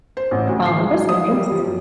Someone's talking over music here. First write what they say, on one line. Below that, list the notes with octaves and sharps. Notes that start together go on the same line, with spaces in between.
Oh, that's nice.
C5
A1
D2
C7
G#3
F#3
D#6
G3
F3
F#2